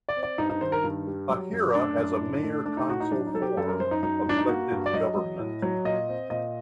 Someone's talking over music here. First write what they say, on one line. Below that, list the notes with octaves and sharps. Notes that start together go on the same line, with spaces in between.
Hahira has a mayor-council form of elected government.
D5
C4
D5
G2 D#4
D#4
D#3 C5
A#4
G2
G3
F#3
F#2
A3 D4
F#2
A2
A3
A3 D4
D#4
A2 F#4
D#4
F#3 D4
D#4
F#3 A4
G4
F#2 A4
A#4
F#2 C5
D#4
F#3 D#4
G2 D4
D#4
A#3 F#4
G2
D5
F#3 D#5
F#3
A2
F#3
A#2 D#5
C4
A#2 D#5